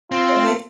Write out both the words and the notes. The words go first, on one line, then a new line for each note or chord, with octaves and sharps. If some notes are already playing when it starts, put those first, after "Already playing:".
That makes
C4 F4